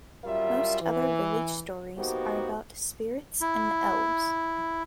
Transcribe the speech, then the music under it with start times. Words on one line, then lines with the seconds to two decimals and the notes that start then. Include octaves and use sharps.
Most other village stories are about spirits and elves.
0.24 F#2 G3 F4 A#4 E5
0.82 E3
1.97 A#3 B3 D#4 F#4 G4 C5
3.41 E4